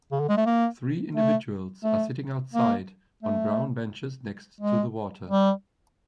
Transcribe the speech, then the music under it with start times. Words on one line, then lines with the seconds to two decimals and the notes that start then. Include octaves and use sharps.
Three individuals are sitting outside on brown benches next to the water.
0.12 C#3
0.20 D3
0.29 G#3
0.37 A3
0.46 A#3
1.15 A3
1.84 A3
2.53 A#3
3.22 A3
4.61 G#3
5.30 G3